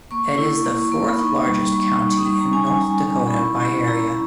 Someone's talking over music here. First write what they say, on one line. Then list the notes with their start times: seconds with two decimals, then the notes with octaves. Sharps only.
It is the fourth-largest county in North Dakota by area.
0.11 A#3 C#6
0.38 E4
0.64 A#3 C#6
0.92 A#3
1.08 B5
1.19 D#4 C#6
1.46 G3
1.73 G3 C#6
1.99 D#4
2.17 D#6
2.26 G3 C#6
2.40 A#5
2.53 C#4 G#5
2.67 G#5
2.80 G3 A#5
3.07 C#4
3.28 B5
3.33 E4 C#6
3.60 E4
3.88 E4 A#5